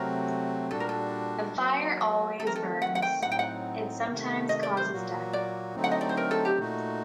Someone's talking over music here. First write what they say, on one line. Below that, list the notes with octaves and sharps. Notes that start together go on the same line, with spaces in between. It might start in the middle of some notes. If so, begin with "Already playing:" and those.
The fire always burns, it sometimes causes death.
Already playing: C3 F#3 A3 C4 F#4 A#4
A#2 G3 D4 F#4 A4
A#4
A4
F#3 A#3 F#4
D#3 A3 C4 A4
A#4
A4
F#5
F#5
G5
A2 F#3 C4 D#4 F#5
G5
F#5
C3 D#3 A3
D#5
D5
C5
A#2 F#3 A#3 F#4
D5
D3 F#3 A3 C4 D#4
F#5
D#5
D5
C5
A#4
A4
G4
A#2 A3 D#4 F#4